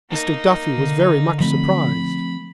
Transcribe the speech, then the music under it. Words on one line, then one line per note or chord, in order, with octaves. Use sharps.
Mr. Duffy was very much surprised.
A#3 D#4
D3
F3 A3 C4 B5